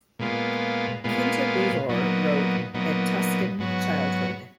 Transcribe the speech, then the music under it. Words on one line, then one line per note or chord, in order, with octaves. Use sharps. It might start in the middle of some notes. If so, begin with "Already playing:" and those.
Kinta Beevor wrote "A Tuscan Childhood".
A#2 G#3 B3 F4
A#2 G#3 B3 F4
A#2 F#3 B3 D#4
A#2 F#3 B3 D#4
G#2 F#3 B3 F#4 C#5